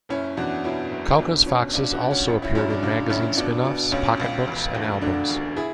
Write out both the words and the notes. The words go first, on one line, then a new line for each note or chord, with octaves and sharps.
Kauka's foxes also appeared in magazine spin-offs, pocket books and albums.
F#1 C#4 E4
E2 D4 F#4
B2 C#4 E4
F#1
B2 D4
B2 C#4
C#2 D4
D4 F#4
C#2
C#4
G#1 C#4 E4
C#4 E4
F#2 C#4 E4
D4
C#3 D4
G#1 C#4 E4
B2 D4
B2
C#2 C#4
C#2
E1
D2
D3 D4
E1
E4 G#4